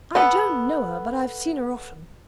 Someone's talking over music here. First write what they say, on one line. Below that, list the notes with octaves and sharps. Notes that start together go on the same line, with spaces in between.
I don't know her; but I have seen her often.
B3 A4 F#5